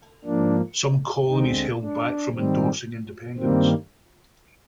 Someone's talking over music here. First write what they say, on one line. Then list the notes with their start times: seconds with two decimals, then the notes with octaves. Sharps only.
Some colonies held back from endorsing independence.
0.25 G#2 F3 A#3 D4
1.29 D2 D3 D#3 G#3 C4 D#4
1.81 D4
2.33 G#2 D#3 G3 C4
3.37 G2 D#3 G3 A#3 C4